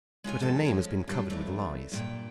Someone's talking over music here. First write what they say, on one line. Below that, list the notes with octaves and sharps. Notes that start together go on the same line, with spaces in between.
"But her name has been covered with lies."
G#3 C#4 F4 G#5
F2 A4
F3 G#3 C#4
F#3 G3 D4
F2 E3 A3 D4
G2 A#2 G5